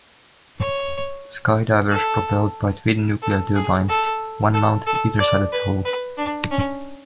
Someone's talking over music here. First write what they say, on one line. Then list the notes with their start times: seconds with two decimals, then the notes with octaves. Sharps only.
Skydiver was propelled by twin nuclear turbines, one mounted either side of the hull.
0.60 C#5
1.91 A4
3.22 A4
3.56 G#4
3.89 A4
4.54 A4
4.86 A4
5.20 D5
5.52 B4
5.85 B4
6.18 D4
6.51 C#4